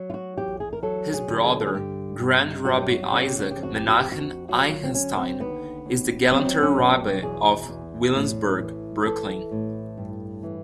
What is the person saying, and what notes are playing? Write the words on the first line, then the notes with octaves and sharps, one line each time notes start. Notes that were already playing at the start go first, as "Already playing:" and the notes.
His brother, Grand Rabbi Isaac Menachem Eichenstein, is the Galanter Rebbe of Williamsburg, Brooklyn.
Already playing: F#3
F4
F#4
E2 G4
G#4
A#4
F#3 A4
G#4
D3
G#4
A4
G#4
G2 G4
G2
F#3 F#4
G4
F#4
G4
C#3 F#4
G4
F#4
G4
F2
F#4
G4
F#4
F2 G4
F#4
F#3 F#4
F4
C4
D3 C#4
C4
D#2 B3
D#2
F#3 C4
C#4
B2
F#4
G4
E2 G#4
E2
A2
E3
E3 A4
A2
G2
E3